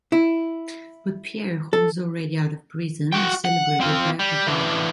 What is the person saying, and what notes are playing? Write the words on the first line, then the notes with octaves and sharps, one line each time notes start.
But Pierre, who was already out of prison, was celebrated by everybody.
E4
A4
F#4 G5
F#5
C4 F4
G3
E3 D4